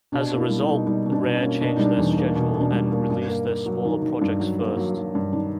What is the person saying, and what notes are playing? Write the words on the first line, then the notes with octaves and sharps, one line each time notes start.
As a result, Rare changed their schedule and released their smaller projects first.
B2 D4
A#3
E4
G3
D#4
B2
G3 D#4
B2
D4
B2
C#4
A#3
B2 D4
G3 D#4
D4
E2
D#4
A#3
B2
B2
D4
G3
A#3
G2
A#3
A#3
F#3
D#3
D#3
G2
F#3
A#3
F#3
F#3
G2
D#3 D4